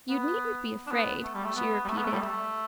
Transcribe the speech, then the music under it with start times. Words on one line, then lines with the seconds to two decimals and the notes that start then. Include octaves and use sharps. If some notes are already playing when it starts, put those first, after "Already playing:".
"You needn't be afraid," she repeated.
0.09 B3
0.87 D4
0.91 B3
1.24 A3
1.34 G3
1.45 A3
1.56 B3
1.85 G3
1.89 A3
1.98 B3
2.05 A3
2.13 G3
2.22 A3